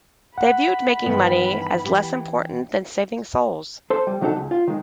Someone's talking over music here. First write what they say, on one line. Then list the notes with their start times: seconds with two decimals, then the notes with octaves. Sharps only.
They viewed making money as less important than saving souls.
0.38 F#5 B5
1.06 G2 D#3 E3 B3
1.84 E3 G4
3.90 A4 C5
4.07 G3
4.21 D#3 F#3 D4 D#4 F#4 A4
4.37 C#2
4.51 F4
4.68 D#3 G#3